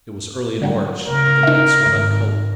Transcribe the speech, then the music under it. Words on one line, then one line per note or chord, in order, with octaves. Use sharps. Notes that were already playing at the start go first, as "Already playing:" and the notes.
It was early in March, but the nights were not cold.
D3 F#3 G3
C#3 A#4
D#4 E5
G#1